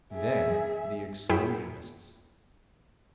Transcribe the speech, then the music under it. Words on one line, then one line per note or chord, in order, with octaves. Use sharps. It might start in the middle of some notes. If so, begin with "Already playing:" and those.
Then the exclusionists.
G#4 E5
F#2 E4 G#4 G5 B6 E7